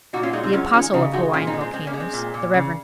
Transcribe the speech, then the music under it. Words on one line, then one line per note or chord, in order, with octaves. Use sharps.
The Apostle of Hawaiian volcanoes, the Rev.
A#2 D#4 F#4
C#4 F4
G#3 D#4 F#4
C4 D#4
F#3 C#4 F4
D#3 C#4 F4
C#3 D#4 F#4
G#3 D#4 F#4
A#2 C#4 F4
C4 D#4
G#3
C4
G#3 C4
A#3 C#4
G#3
C4
A#2
A#2
C#3